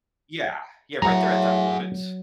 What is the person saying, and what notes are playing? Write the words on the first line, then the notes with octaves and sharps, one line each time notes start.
Yeah. Yeah, right there at that moment,
A2 F#3 G#4 F#5 A#5